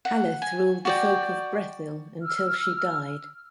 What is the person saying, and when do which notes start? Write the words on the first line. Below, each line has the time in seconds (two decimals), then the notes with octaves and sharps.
Haleth ruled the Folk of Brethil until she died.
0.05 F#5
0.42 G#5
0.85 F#4 D5 G5
2.22 E6 F6